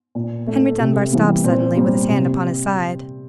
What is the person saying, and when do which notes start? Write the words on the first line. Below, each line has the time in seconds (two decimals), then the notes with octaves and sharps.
Henry Dunbar stopped suddenly, with his hand upon his side.
0.15 A#2
0.47 A3
0.79 C3
1.12 E3 G3 A#3
1.44 A#2 C4
1.77 G3 A#3
2.09 C3